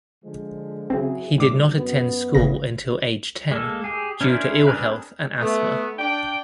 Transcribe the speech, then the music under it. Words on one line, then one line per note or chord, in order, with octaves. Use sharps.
He did not attend school until age ten due to ill health and asthma.
D3 F3 G#3
C#3 F#3 C4 E4 G#4
B1 A2 D3 G3 D6
F#2 B3
G1 C#3 A#6
G#3 A#3 A4
G4 G#4
C#4 D4 E4 A#4 C5
C4 D4 G#4 A#4 B4
A3 B3
D4 D5 G5